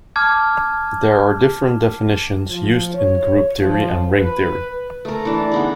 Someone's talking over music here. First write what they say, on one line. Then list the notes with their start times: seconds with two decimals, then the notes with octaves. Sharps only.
There are different definitions used in group theory and ring theory.
0.16 A5 D6 F6 G#6
2.49 F3
2.94 C#5
3.58 F3
4.14 B4
5.05 A3 A#4
5.25 E3 D4
5.52 B3 D#4 G#4